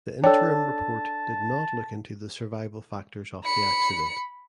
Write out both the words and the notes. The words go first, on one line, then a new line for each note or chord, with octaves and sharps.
The interim report did not look into the survival factors of the accident.
D4 A4 C#5 G5 A5
B5 C#7